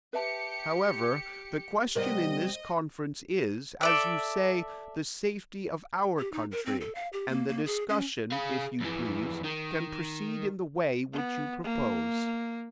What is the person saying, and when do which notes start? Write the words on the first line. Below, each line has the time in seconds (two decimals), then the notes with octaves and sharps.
However, the question in this conference is, as you say, the safety of our country; and the discussion, if you please, can proceed in the way which you propose.
0.13 G4 B4 E5 A5 C#7
1.95 C3 G3 B3 A#4 C5 D#5
3.81 A4 D5 E5
6.19 G4
6.32 D#4
6.51 A#4
6.66 C4
6.81 A4
6.95 F5
7.13 G4
7.29 A#3
7.48 A#3
7.66 G#4
7.89 C#4
8.32 G#4 F5
8.80 F2 E3
9.44 D#3
11.13 B3
11.64 A#3